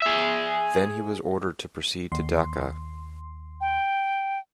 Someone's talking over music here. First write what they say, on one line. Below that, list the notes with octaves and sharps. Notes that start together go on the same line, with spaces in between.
Then he was ordered to proceed to Dhaka.
G#4 E5
D#2 C6
G5